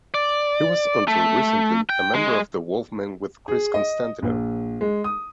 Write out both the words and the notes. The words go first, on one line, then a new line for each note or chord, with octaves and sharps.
He was until recently a member of The Wolfmen with Chris Constantinou.
D5
A3
G5
G#3
G#4
D#5
A#1
G#3
D#6